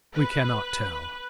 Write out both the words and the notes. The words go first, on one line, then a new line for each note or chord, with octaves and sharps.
We cannot tell.
B4